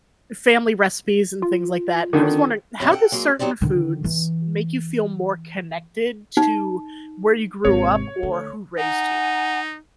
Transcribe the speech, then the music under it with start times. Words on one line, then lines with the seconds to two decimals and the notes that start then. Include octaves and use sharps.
family recipes and things like that, and I was wondering, how do certain foods make you feel more connected to where you grew up or who raised you?
1.42 F4
2.13 D3 D#3
2.80 G2 C3 F#3
2.91 A4 F#5 G5
3.12 F#3 G#3 A#3
3.39 F#3 D#4 G4 C5 D5
3.62 D3 D#3
4.04 E3
6.37 D#4
7.65 G#1 C3 G#3 A#3 C#5
8.23 D3 A3
8.77 D#4 F#5 G#5 A#5